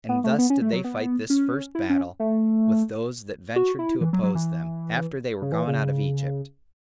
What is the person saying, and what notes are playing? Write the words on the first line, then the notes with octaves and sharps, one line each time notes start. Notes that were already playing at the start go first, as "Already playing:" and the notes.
And thus did they fight this first battle with those that ventured to oppose them, after they were gone out of Egypt.
B3
A3
B3
C#4
A3
F#3
B3
C#4
E4
C#4
A3
F#4
E4
E3
F#3
F#3
E3
C#3
E3
C#3